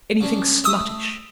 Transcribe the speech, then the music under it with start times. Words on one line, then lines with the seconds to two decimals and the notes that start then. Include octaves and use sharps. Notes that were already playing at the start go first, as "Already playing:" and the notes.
Anything sluttish?
0.21 C#3 D4
0.64 A3 D#6 E6